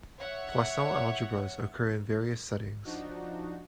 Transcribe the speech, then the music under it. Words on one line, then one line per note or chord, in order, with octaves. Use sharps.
Poisson algebras occur in various settings.
C#5 E5 F#5
F3 D4 D#4 F#4